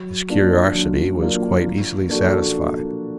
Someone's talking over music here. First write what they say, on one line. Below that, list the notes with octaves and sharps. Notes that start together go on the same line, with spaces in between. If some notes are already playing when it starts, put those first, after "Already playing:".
His curiosity was quite easily satisfied.
Already playing: F#3
A#3 D4 F4
F#3
A#3 D4 F4
F3
A#3 D4 F#4 A4